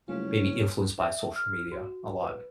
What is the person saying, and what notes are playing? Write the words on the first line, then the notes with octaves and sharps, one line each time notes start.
maybe influenced by social media a lot.
F#1 G3 A3 C#4 F4
E5
F6
F#4
B4